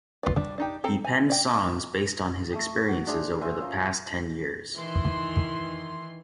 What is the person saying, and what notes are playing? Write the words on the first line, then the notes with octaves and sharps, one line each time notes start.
He penned songs based on his experiences over the past ten years.
F4 B4 D5
G3 D4
D4 D#4 G4
C4 A4 G5 A#5
E3 G#5
D5 G5
A3 A5 D#6
F#4
D4 G#4 C5 E5
C5 C#5 E5 G#5
C#4 F4 A#4
D#3 E3 C6